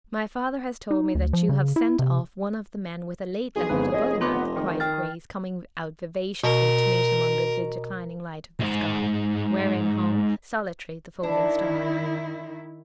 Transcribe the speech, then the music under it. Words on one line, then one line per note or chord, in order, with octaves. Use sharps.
"My father has told me that you have sent off one of the men with a late letter to Budmouth," cried Grace, coming out vivaciously to meet him under the declining light of the sky, wherein hung, solitary, the folding star.
D#4
D2
F3
C#3
E4
C3
B1 G#4
G1 G#2 C4 B4
F1 C#5 D#5
B3 F4 C6 D6
D#3
G5 F6 A6
B2 A#4
C2 G#2
D#3 D4 E4